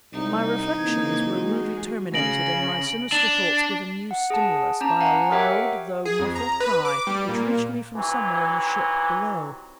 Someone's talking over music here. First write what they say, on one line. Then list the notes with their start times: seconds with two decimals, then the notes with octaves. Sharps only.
My reflections were rudely terminated and my sinister thoughts given new stimulus, by a loud though muffled cry which reached me from somewhere in the ship, below.
0.13 C2 D#4
0.77 C#3 E3 A#3 C4 G#6
1.36 G#3 F#4 G#4
2.14 C#3 A#6 D7 F#7
3.12 D4
4.11 F#5
4.30 G#4 F#5 A5
4.81 C#4 A5 A#5
5.00 F5 F#5 G#5 A#5
5.31 G4 A#4 C#5 E5 F#5 G5
6.05 G#4
6.19 F2
6.35 A#5
6.60 B4
6.85 D6
7.07 G3
7.29 A#2
7.96 C3 E3 F#3 D#4